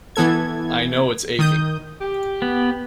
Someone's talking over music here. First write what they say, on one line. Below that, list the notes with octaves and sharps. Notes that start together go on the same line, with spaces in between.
I know it's aching.
E3 B3 A4 G#6
D#3 D#6 G6
G4
B3